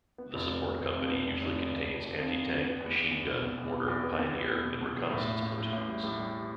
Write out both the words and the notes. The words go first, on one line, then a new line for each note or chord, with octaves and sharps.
The support company usually contains anti-tank, machine gun, mortar, pioneer and reconnaissance platoons.
B3
F1
F1
B3
F1
F2
B3
F1
F1
F1
F1
F1
F1
F2
F2
B3
B3
E2
E2
E2
B2
B2
E2
B3
E2
B3
E2
B3
E2
B2
B2
E2
A2
A1
A1
A2
A1
G3
A2
G3